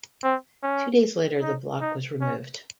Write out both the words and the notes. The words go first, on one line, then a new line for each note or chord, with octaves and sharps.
Two days later, the block was removed.
C4
C#4
D#4
D#4
C#4